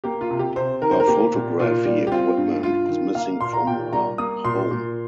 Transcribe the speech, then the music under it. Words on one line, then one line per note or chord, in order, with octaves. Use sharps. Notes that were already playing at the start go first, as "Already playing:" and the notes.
Her photography equipment was missing from her home.
A#3 G4
F4
C3
G4
C3 C5
D#3 A#4
C5
A#4
A#3 G4
A#2
A#2 F4
G3
G4
C4 F4
G2
G2 F4
D#3
A#3 F5
A#2 C6
A#5
A#2 G5
G3 A#5
A#3 D#6
A#2 C6
A#2